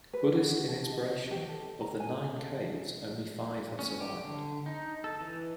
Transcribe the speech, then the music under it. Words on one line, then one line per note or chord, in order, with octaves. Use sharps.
Buddhist in inspiration, of the nine caves, only five have survived.
B4
F#4
A5
D#5
C#5
G4
A4
A#5
G#5
A4
C#4
G4
D3
D#4
A4
E3